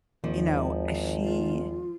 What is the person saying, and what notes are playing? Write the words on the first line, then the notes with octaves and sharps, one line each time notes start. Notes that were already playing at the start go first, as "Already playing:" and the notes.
you know, uh, she
G#1 D#2 D#3 F3
F4